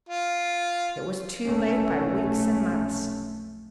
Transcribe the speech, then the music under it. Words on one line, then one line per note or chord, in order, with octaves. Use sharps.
It was too late by weeks and months.
F4
F1 B1 A3 C#4